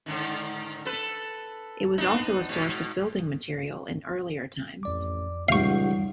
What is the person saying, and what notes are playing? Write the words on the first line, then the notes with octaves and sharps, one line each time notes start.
It was also a source of building material in earlier times.
G#2 D3 D#3
A4 B4
B3 D4 D#4
G#2 B2
A1 F2 D5 D6
C#2 E3 G3 D#4 G4 F5 F#5 C#6